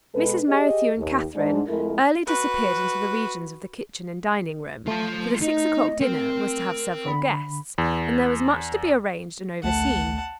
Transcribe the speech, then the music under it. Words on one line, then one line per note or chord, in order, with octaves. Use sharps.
Mrs. Merrithew and Katherine early disappeared into the regions of the kitchen and dining-room, for the six o'clock dinner was to have several guests, and there was much to be arranged and overseen.
B2 G#3 A4 B4
G4 G#4 D#5
D#2
G#2 D4
F2 G#3 A3 E4 A#4
F#4 B4
A3 F4 A5
D#4 D#5
C4 A#4
D3 B5
E2
A1 D2 A3 F#5 A5